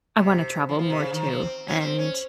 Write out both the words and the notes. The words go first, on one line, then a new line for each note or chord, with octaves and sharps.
I wanna travel more, too, and
C3
F3
F3
C3
C#3
D#3
F3
C4
C#4
C4
C#4